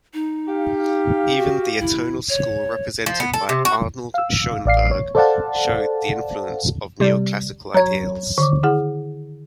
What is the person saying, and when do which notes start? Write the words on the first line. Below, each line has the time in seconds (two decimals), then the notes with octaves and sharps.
Even the atonal school, represented by Arnold Schoenberg, showed the influence of neoclassical ideas.
0.14 D#4
0.48 G4 F5
1.38 F#4
1.80 E4
2.29 C#5
3.06 F3
3.20 B3
3.33 A4
3.49 C3
3.65 F#4
4.14 F5 E6
4.66 A1 D5 F5 C7
4.91 C#5
5.15 A4 C5 D5 F5 F#5 A5
7.00 C3 G3
7.74 F#3 C#5 A#5
8.38 D3 D#3 D6
8.63 E4 G#4 F#5